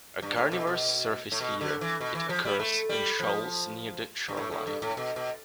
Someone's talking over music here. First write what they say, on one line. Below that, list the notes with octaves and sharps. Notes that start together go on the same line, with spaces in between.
A carnivorous surface feeder, it occurs in shoals near the shoreline.
G2
A2
B2
B2
A2
B2
D3
E3
B2
E3
F3
G3
A3
G3
F3
G2
A2
A2
G2
A2
B2
B2